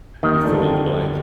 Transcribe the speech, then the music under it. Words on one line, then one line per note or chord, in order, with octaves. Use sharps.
you fill in the blank,
D#2 D#3
D3 F3 A3 D4